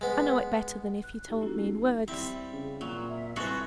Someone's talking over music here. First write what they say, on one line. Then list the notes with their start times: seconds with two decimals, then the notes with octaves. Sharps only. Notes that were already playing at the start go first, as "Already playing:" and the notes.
I know it better than if you told me in words.
0.01 G#3 B3
1.04 F#6
1.28 D#4 F4 G4 A4
1.41 F#3 A3 A#3 C#4 E4 F#4
1.59 A3 D#4
2.08 G3 C4 E4
2.52 C#3
2.81 A#2 F#3
3.09 E5
3.36 C2 G#3 F#4 A4 B4 G#5 A#5 C#6